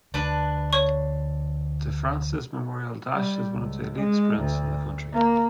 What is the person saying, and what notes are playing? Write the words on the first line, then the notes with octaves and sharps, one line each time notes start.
De Francis Memorial Dash is one of the elite sprints in the country.
D2 D4 B4
C#5 C#6
G3
C#2
G#3
D2
A#3